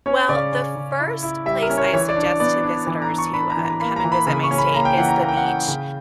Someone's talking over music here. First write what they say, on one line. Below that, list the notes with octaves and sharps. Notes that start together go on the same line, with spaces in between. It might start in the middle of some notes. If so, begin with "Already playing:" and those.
Well, the first place I suggest to visitors who, um, come and visit my state is the beach.
C#4 C#5
C#3 D5
C#3
C#3
E4
E4
G3 E5
A#4
C#4
C#5
E3 C#5
D5
D4
D5
B3 D5
D4
E3
A#5
D4
C#6
D4 B5
A#5
E3
A#5
A#3 B5
A#5
E3
B5
C#3 B5
C#6
C#4
B5
A#3 A#5
G5
E3 F#5
A#5
A#3 A#5
G5
F#5
C#4 G5
C#3